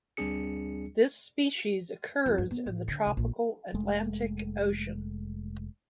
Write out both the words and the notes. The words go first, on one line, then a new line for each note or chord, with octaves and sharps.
This species occurs in the tropical Atlantic Ocean.
D2 G3 C4 D4 G#4 C#7
F2
G2
B3
A1
D3
C2
A#1
F1 G#3 A3